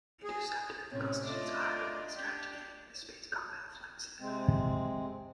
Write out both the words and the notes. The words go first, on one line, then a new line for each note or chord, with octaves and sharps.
"Interceptor", constitutes a hybrid of a strategy game and a space combat flight simulator.
G#4
A2 C3 C#4 C#5
A3 D4 F4 D5 D#5
D4 G4
C3 G#3 C4